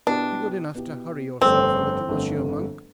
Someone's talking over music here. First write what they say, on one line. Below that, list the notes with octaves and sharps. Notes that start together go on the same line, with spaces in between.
"Be good enough to hurry yourself a little, monsieur monk."
B2 B3 D4 E4 G4
B2 B3 E4 G4
G1 F2 D3 A3 C4
G1 F2 D3 A3